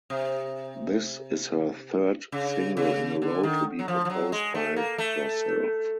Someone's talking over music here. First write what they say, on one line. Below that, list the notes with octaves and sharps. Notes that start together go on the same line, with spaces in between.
This is her third single in a row to be composed by herself.
C3
C#3
C#3
D3
D#3
F#3
F3
F3
F#3
G#3
A3
A#3
A3